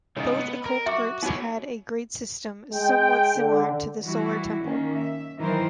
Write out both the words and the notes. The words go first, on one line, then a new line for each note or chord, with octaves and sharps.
Both occult groups had a grade system somewhat similar to the Solar Temple.
C#3 G#3 D#4 C#5 D#5
B3
A#4
F#4 E5 C#6 D6
B3 D#4 F#4 C#5
G#3 G5
D3
E3 G3 E4 F#4
D#3 A#3 C#4
E5
D#3 E3 F#3 E4 A#4 C5